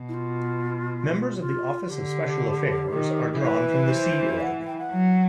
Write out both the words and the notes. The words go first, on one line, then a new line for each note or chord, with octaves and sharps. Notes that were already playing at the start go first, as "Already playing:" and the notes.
Members of the Office of Special Affairs are drawn from the Sea Org.
Already playing: B2
E4
F4
F4
D3 G4
D#3
E3 B4
C5
F#5
G5
F#5
F#3